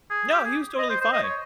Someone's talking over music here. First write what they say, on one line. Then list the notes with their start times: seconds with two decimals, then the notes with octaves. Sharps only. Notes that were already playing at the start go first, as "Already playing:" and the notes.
No, he was totally fine.
0.10 G#4
0.32 G4
0.44 G#4
0.78 D#5
0.90 C5
1.01 C5
1.13 D#5
1.23 C#5